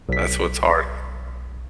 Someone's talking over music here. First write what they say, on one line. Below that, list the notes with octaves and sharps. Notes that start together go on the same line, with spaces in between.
That's what's hard.
B1 B6